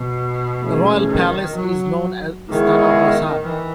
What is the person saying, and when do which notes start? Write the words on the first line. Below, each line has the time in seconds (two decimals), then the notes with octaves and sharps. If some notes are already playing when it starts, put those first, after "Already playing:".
The royal palace is known as "Istana Besar".
Already playing: B2
0.61 E3 A3 C#4 G#4
1.08 D#3
1.55 F#3
2.49 D#3 G#3 B3 E4 G#4 C#5
3.43 E3